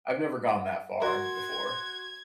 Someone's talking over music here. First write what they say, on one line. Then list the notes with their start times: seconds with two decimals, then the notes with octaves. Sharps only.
I've never gone that far before.
1.02 F#4 A#4 C6 G#6